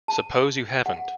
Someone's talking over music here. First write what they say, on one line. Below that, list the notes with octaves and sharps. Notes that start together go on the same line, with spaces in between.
Suppose you haven't?
A5
F#5